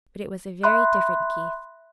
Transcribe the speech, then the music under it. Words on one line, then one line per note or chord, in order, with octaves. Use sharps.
But it was a very different Keith.
E5 B5 C6 F#6